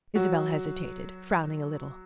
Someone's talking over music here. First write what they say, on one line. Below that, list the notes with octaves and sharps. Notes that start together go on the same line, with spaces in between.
Isabel hesitated, frowning a little.
F#3 F#4